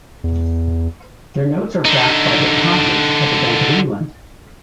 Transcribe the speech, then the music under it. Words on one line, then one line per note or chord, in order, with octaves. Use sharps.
Their notes are backed by deposits at the Bank of England.
E2
D3 D#4